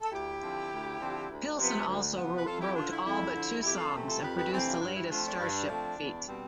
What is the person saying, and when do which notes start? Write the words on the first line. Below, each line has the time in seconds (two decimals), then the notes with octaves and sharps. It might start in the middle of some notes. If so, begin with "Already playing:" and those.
Pilson also wrote all but two songs and produced the latest Starship feat.
0.02 A4
0.12 D2 E4 G4
0.41 D3 F3 C4
0.71 D2
1.00 D3 F3 C4
1.29 D2
1.59 C3 F3 B3
1.88 D2
2.17 C3 F3 B3
2.35 B4
2.46 F2 F4 A4
2.61 E4 G4
2.76 D3 F3 D4 F4
2.90 E4
3.04 F2 E4
3.35 D3 F3
3.63 F2 E4 G4
3.78 F4 A4
3.92 C3 E3 A3 C4
4.07 F4 A4
4.22 F2 G4 B4
4.36 G4 B4
4.51 C3 E3 A3 C4
4.66 D4 F4
4.81 G2 D4
4.95 E4
5.10 F3 A3 C4 D4 F4
5.24 D4
5.40 G2
5.68 F3 A3 C4
5.98 E2
6.27 B2 G3 C4